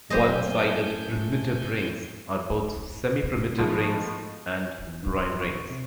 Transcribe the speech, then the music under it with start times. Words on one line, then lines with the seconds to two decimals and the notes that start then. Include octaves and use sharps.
One sided primitive rings are both semiprimitive rings and prime rings.
0.10 F#2 A3 A#3 G4 C5 D#5 G#5 G6
3.58 B2 D#3 F3 G#3 A3 B3
4.87 E2
5.03 G2
5.17 C6
5.41 C#6
5.70 C3